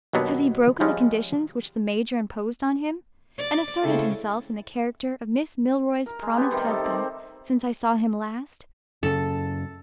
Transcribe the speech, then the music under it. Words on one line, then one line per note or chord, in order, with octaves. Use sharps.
Has he broken the conditions which the major imposed on him, and asserted himself in the character of Miss Milroy's promised husband since I saw him last?
D#2 B2 F#3 B3 D4
F3 G3 G#3 C#4
D5
C#3 G#3 C4 E4 A4
A#4
G#3
B3 G4 C6
C3 D#3 G3
D#4 G4 A4
C4 D5
F#2 C#3 A4